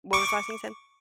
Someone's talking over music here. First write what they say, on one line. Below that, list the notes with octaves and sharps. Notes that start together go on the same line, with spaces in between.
What was the last thing you said?
C#6 D6